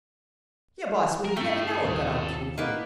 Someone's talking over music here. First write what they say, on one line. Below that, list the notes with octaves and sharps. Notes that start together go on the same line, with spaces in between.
"Your boss would never know it got out through you."
A#4
A3 A4 G5
D#1 C#3 D#6
A#3 B3 D#4